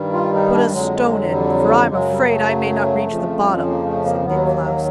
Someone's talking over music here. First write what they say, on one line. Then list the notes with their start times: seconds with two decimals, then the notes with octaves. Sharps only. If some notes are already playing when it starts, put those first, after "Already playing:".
'Put a stone in, for I am afraid I may not reach the bottom,' said Big Klaus.
Already playing: G2 D#3 G3
0.13 F4
0.33 D#4
0.53 D4
0.72 F2 D3 F#3 G#3
1.30 G3
1.90 F#2 C#3 F#3 G#3
2.09 G3
2.30 A3
3.07 F2 C#3 F3
3.67 A#3
3.86 A3
4.05 A#3
4.25 D#2 D#3 F#3 B3
4.45 A#3
4.64 A#3